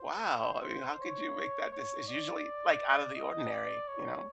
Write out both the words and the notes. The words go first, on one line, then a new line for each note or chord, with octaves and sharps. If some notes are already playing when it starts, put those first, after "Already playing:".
"Wow." I mean, how could you make that deci it's usually, like, out of the ordinary, you know?
Already playing: C5
C5
C#5
C#5
D5
D#5
D5
C#5